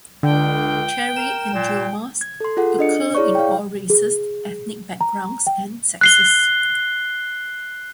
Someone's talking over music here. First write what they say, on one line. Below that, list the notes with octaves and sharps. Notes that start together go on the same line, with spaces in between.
Cherry angiomas occur in all races, ethnic backgrounds, and sexes.
C#2 D3 G5
A#4 E7
A#2
G#6
A4 C6
F4 G#4 A4 F#5
D4 D#5 C#7
E4 G#4 C#5 D5 C#6
F5 G5
G#4
A#5
G5
F#6 C7 G7